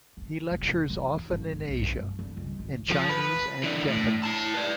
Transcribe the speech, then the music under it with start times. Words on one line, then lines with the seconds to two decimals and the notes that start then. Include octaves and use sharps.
He lectures often in Asia, in Chinese and Japanese.
0.17 D3
0.51 F1
0.90 E3
1.30 G#1
1.52 D#4
1.69 B1
1.98 G2
2.19 G2
2.37 C#2
2.59 G#1
2.89 F3
3.09 B4
3.63 E3 D4
3.87 A2
4.24 E4 A5
4.55 B4 D5